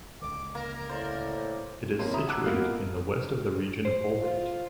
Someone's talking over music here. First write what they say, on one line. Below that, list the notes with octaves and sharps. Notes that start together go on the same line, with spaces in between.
It is situated in the west of the region of Oldambt.
C#2 D3 D6
A#3 A#4
A2 C5 D5
E1 F2 A#3 C#4 C6
E5 A#5 D#6
F#5 A5 D6 E6 F#6
F1 A#3 B3 F4 F6
C5
F4